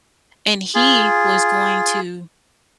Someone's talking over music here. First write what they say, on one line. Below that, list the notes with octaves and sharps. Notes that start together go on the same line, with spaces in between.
and he was going to
F4 G#4